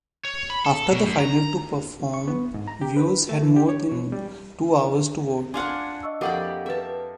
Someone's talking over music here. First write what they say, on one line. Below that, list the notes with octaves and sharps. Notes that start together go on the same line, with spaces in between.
After the final two perform, viewers had more than two hours to vote.
C#5
B5
A4
B2
F#2
A#5
C#6
B3
G#2
A#5
G4
B4
A3
E3
G4
C#5
B2
G3
D4 F4 F5 F#5 G#5 C6 F6
D#5 C#6 E6
F2 A#3 G4 A4 A#4 D5 F#5 B5
G#4 B4 E5 A5